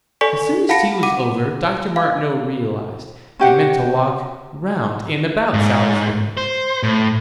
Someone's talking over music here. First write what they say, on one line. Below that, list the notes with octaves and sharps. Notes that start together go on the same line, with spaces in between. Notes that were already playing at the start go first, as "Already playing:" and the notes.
As soon as tea was over, Dr. Martineau realized, they meant to walk round and about Salisbury.
A4 D5 G#5 C#6 B6
F5 F#5 A5 B5 A#6 C#7
F#5 D6 D#7
F5
C#4 G4 F#5
G#2
C5
A2